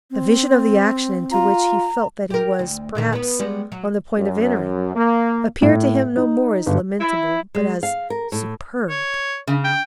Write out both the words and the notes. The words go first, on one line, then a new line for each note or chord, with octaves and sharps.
The vision of the action into which he felt that he was, perhaps, on the point of entering, appeared to him no more as lamentable, but as superb.
C4
F4 A#5
G4 A#4
D2
A#2 D3 D#3
B3 B4
G3 G#3 B3
F#3
F#2
A#3
A2
D#4
G1
E4
G#3
F5
A#4
A2
C#5
C#3
G5